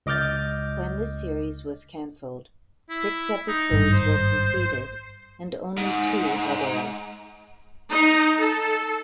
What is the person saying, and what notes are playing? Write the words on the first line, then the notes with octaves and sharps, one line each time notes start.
When the series was cancelled, six episodes were completed and only two had aired.
C#2 D#5 D6 F6 G6 A6
E4
D#4
G#1 G2 G3
C5
G#2
D#4
A4